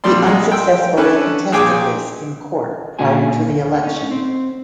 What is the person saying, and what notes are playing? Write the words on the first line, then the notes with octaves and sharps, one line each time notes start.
He unsuccessfully contested this in court prior to the election.
A#1 F2 G3 D5 C6
G#3
G5 C6 E6
C#4 D4 A4 B4 G#5
A#1 G#4 G5 G#5 D6
A#2 D3 C#4 F#4 G#5
A#2
D2
C#4 D#4
C4